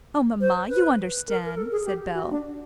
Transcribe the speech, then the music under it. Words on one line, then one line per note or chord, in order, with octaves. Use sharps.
"Oh, mamma, you understand," said Bell.
C5
B4
A#4
A#4
A4
G#4
G4
F#4
D4